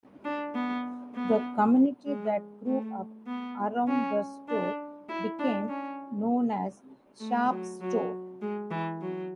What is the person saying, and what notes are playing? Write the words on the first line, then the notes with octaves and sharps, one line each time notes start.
The community that grew up around the store became known as Sharpe's Store.
D4
B3
B3
G#3
A3
B3
C#4
D4
E4
D4
C#4
A3
F#3
F#3
G#3
E3
F#3